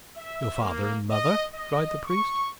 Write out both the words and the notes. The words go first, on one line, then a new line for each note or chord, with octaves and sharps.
"Your father and mother?" cried the priest.
E5
A#3
D#5
D#5
C#6